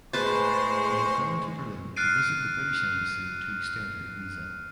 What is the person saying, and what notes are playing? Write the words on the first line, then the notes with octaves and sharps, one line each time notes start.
She had gone to Berlin to visit the British embassy to extend her visa.
A2 G#3 G#4 B4 C5 A5 C#6
F6 F#6 A6 C7 D7 D#7